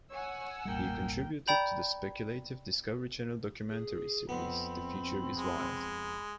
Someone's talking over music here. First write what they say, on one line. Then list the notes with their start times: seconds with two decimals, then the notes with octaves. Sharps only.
He contributed to the speculative Discovery Channel documentary series "The Future Is Wild".
0.11 C#5 F#5 G#5 E6
0.65 E1 A1 G3 A#3 G5
1.47 D5 G5 A#5 B5 G6
3.69 G#4
4.29 F2 B3 C4 B5
5.35 G#3